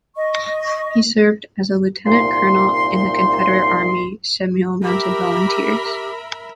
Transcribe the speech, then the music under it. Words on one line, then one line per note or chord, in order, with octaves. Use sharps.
He served as a Lieutenant Colonel in the Confederate Army Seminole Mounted Volunteers.
D#5 C#6
C2 A#2 D#4 C6
G4 A#4 E5 B5